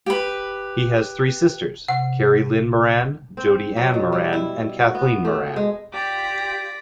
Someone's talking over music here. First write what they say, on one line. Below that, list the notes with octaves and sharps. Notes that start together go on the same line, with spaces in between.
He has three sisters, Kari Lynn Moran, Jodi Anne Moran and Kathleen Moran.
G4 B4
C3 F#5
C4
F#3
B2
G3
E4
F#4
B3
A3
G#3
F4 G4 D5 A#6 B6